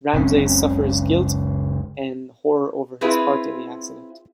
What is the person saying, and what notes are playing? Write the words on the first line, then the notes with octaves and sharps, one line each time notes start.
Ramsay suffers guilt and horror over his part in the accident.
F#1 C#2 C4 C#4
C4 E4 F4 G#4 B4